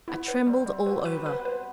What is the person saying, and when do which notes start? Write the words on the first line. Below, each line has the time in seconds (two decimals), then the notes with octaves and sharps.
I trembled all over.
0.08 B3 E4
0.28 B4
0.47 G3 C4
0.66 G3
0.86 F#3 B4
1.05 B4
1.12 G3
1.26 B4
1.38 B3
1.45 B4